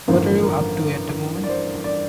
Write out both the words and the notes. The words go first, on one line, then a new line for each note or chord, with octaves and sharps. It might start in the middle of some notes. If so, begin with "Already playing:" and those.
What are you up to at the moment?
A1 G2 D3 F3 A#3 C5
A#4
D5
C5
D5